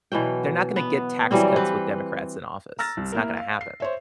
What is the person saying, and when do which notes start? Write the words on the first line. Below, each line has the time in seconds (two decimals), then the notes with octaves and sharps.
They're not gonna get tax cuts with Democrats in office. It's not gonna happen.
0.12 B2 E3 F#3 G5
0.76 B3
1.31 E3 F#3 G3 C4
1.56 C4 B4
2.79 A#5 E6 F6 A6 A#6
2.97 C2
3.12 A#3 E4 A#4
3.37 F5
3.61 C7
3.80 C5 C#5 E5